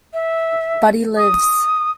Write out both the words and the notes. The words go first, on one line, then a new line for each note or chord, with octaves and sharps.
But he lives.
E5
D#6